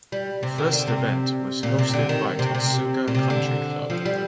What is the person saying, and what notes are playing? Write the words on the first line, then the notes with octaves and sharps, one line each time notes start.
The first event was hosted by Totsuka Country Club.
G3
C3
D#3
D3
C3
A#2
C3
D3
D#3
C3
C3
A#2
C3
D3
F3
G3